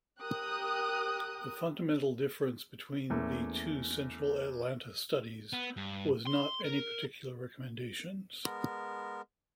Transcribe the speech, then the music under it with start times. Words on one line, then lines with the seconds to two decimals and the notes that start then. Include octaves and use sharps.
The fundamental difference between the two Central Atlanta Studies was not any particular recommendations.
0.21 G4 A#4 G5 D#6 F#6
3.10 E2 A3 A#3 C#4
5.53 B3
5.77 G2
6.27 C6
6.65 A#4
8.45 G#3 B3 A#4